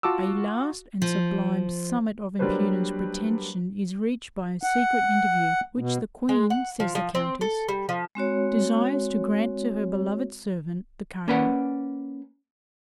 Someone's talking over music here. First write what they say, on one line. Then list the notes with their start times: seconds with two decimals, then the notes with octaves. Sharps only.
A last and sublime summit of impudent pretension is reached by a secret interview which the Queen, says the countess, desires to grant to her beloved servant the cardinal.
0.03 F4 F#4 A5 D6 E6
1.02 F3
2.39 F#3 G3 A#3 D4 B4 C5
4.63 F#5
5.78 B2
6.29 G#3
6.50 F#5
6.80 F3
6.95 F3
7.15 C4
7.41 A4
7.69 G3
7.89 F3
8.15 G#3 C4 F#4 C#5
11.28 A#3 C#4 B4 D5 F#5